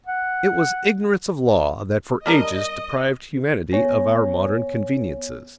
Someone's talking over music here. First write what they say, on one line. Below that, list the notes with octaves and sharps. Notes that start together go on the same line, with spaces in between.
It was ignorance of law that for ages deprived humanity of our modern conveniences.
F#5
G3 D4 A#4 D#5
B3 C#5 G#5 A#6